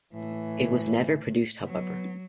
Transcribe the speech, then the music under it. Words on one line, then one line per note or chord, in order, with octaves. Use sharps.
It was never produced however.
A2 E3
F#3 B3